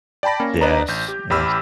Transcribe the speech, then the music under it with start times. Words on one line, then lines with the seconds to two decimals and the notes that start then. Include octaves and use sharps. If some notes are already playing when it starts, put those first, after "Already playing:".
Yes. Yes.
0.23 D5 G5 A5 B5 A#6
0.40 A#3 C#4
0.61 D4 B4 D5 D#5 A#5
0.88 A1 G6
1.08 G4
1.30 A1 G4 B5 E6 F6